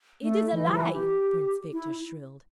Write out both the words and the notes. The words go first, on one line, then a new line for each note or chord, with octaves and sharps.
"It is a lie!" Prince Victor shrilled.
A3
E3
G3
E3
G4
E4